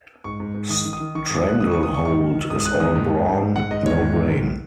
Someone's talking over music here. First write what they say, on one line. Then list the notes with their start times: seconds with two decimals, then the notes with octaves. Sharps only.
Stranglehold is all brawn - no brain.
0.24 G#2 C#6
0.40 G#2
0.54 G#2
0.69 D#3 D#6
0.85 D#3
0.93 D#6
1.00 D#3
1.15 D#3 C#6
1.26 D#6
1.30 G#2
1.38 D#6
1.45 G#2 F#6
1.60 D#3 D#6
1.72 D#3 C#6
1.83 D#6
1.90 D#3 C#6
2.05 G#2 C#6
2.20 D#3
2.35 D#3
2.50 G#2 D#6
2.60 D#6
2.65 G#2 F#6
2.80 D#3 D#6
2.96 G#2
3.10 G#2
3.26 G#2
3.40 G#2
3.56 G#2 F#5
3.71 G#2 D#5
3.85 D#3 C#5
4.01 G#2
4.15 D#3
4.31 G#2